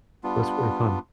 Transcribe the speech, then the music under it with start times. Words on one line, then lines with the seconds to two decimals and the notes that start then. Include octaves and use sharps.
It was pretty fun.
0.23 G3 B3 D4 F4